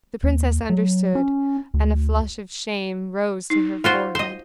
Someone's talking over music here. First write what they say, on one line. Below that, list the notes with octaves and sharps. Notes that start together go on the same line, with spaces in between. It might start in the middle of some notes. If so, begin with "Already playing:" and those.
The princess understood, and a flush of shame rose to her forehead.
D#2
F#3
C#4
D2
D#4
F4 F#4 C5
C5 D#5